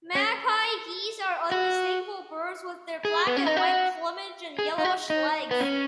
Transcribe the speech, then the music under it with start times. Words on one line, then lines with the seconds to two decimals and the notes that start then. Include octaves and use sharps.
Magpie geese are unmistakable birds with their black and white plumage and yellowish legs.
0.15 C#4
1.52 F#4
3.05 G#4
3.27 B3
3.37 C#4
3.46 D#4
3.56 F#4
4.59 G#4
4.78 D#4
4.85 F#4
5.10 D#4
5.51 B3
5.60 C#4